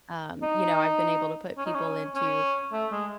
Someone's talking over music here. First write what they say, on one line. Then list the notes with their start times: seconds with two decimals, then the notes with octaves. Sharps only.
um, you know, "I've been able to put people into,"
0.42 D#4
1.58 C#4
1.66 D#4
1.75 C#4
2.15 C#4
2.72 A3
2.92 G#3